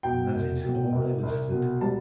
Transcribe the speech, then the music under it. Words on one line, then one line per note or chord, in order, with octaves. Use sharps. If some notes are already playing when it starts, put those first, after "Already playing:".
And that is all I elicited.
B2 G5
C2
B2
C2
C2
B2
G3 A5